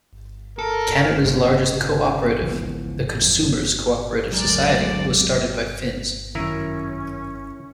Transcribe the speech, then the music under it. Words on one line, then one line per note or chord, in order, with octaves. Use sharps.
Canada's largest co-operative, the Consumers' Co-operative Society, was started by Finns.
A4 A#4
F#1 D3 A#3 C4
C#3
C#2 E3 F3 B3
F2 F#3
D2 F#3 G#3 A#4 D5
F#2 D#3 C#4 E4 A#4